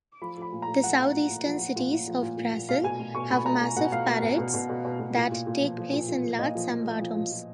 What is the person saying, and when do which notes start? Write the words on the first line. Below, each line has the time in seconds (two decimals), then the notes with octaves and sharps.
The southeastern cities of Brazil have massive parades that take place in large "sambadromes".
0.22 F3 B5
0.38 F3 B5
0.52 A#2
0.62 A#5
0.68 A#2
0.83 F3 F#5
0.99 A#2
1.14 A#2
1.29 A#2
1.45 F3
1.60 F3
1.76 A#2
1.91 A#2
2.07 F3
2.23 A#2
2.37 A#2
2.53 A#2
2.69 B2 F5
2.83 B2 G#5
3.00 B2
3.15 B2 C#6
3.30 B2 B5
3.45 B2 A#5
3.62 B2
3.77 B2 F#5
3.92 B2 F5
4.08 B2
4.23 B2
4.38 B2
4.54 B2
4.69 B2
4.85 B2
5.00 B2
5.16 A#2
5.32 A#2
5.47 A#2
5.62 F3
5.78 F3
5.93 A#2
6.08 F3
6.24 F3
6.39 A#2 D#5
6.55 F3
6.70 F3
6.86 F3
7.02 F3
7.16 A#2
7.32 F3